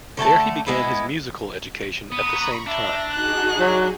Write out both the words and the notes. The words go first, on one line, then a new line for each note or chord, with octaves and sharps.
There he began his musical education at the same time.
D3 A3 G#5 A5
G#3 B3 E4
B3 A#5 B5 C#6 D#6
D4 E5 A#6
D#4 F#4 G#4 F#6
F#3